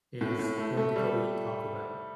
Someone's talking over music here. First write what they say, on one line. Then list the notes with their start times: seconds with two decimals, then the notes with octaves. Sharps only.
is going to go eat Taco Bell.
0.21 A2
0.39 A2
0.58 A3
0.77 A3
0.96 G3